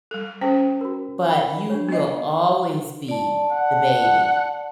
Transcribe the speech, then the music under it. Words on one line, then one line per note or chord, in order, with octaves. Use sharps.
But you will always be the baby,
G3 A4
C#4 A4 C5 G5
F#4 A#4
A#4 B5
D4 G4 C#5
B3 D#5
D5 A5
F#5